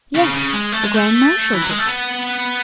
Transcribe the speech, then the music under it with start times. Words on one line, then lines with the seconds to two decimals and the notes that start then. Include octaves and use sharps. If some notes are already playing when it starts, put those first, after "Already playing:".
"Yes; the grand marshal did."
0.15 C#3
0.34 C#3
0.53 G#3
0.72 A3
0.83 G#3
0.94 A3
1.53 E3
1.62 F#3
1.69 G#3
1.79 A3
1.86 B3